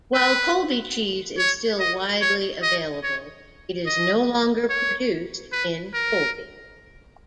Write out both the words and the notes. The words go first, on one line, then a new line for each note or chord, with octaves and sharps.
While Colby cheese is still widely available, it is no longer produced in Colby.
B4
C#5
D#5
C#5
D#5
C#5
D#5
C#5
B4
A#4